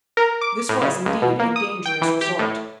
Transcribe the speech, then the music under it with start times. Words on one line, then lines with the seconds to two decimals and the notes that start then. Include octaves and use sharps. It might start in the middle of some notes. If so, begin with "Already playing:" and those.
This was, indeed, a dangerous resort.
0.17 A#4
0.41 D6
0.69 A2
0.82 C#3
1.05 C#2
1.22 B2
1.40 A#3
1.56 D#6
1.86 G5
2.01 E3
2.21 G4
2.39 A2